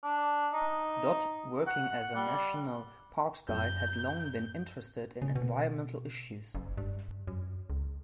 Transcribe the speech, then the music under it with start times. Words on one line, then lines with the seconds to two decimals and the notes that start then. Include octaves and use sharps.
Dodd, working as a national parks guide, had long been interested in environmental issues.
0.04 D4
0.53 D#4
1.67 F#5
2.15 G3
3.49 F#2 G6
5.22 C#3
5.35 B2
6.55 F#1
6.78 G2
7.27 F#2
7.70 C#2